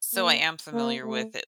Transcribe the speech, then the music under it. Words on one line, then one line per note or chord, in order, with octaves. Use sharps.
So I am familiar with it
A#3
A#3
A3